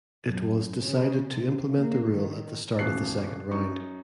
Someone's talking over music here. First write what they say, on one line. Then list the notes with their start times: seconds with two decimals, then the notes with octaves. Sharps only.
It was decided to implement the rule at the start of the second round.
0.25 F#2
0.81 C#3
1.31 C3
1.80 A#3
2.12 D#3
2.79 D#1 A1 B2 A3 F#6 C7
3.51 F#2 D#4 C#6